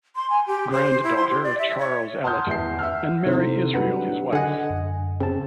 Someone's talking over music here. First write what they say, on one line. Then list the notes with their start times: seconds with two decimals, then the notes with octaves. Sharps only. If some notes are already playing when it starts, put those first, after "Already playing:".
Granddaughter of Charles Ellet and Mary Israel, his wife.
0.16 C6
0.30 G#5
0.47 G4
0.72 C5
1.03 E4
1.16 C6
1.30 G4
1.43 D5
1.58 E5
1.79 C#5
2.23 F#5 A5 C6 D#6 F6 G6
2.47 E2 E5 C7
2.79 E5 F#5 E6 F6
3.25 C3 D#3 C4 E4 A4 C5
3.74 F#3 G3 D4 B4 F#5
4.33 D3 D#5 F#5 G#5
4.70 F#2
5.20 C#3 C4 A5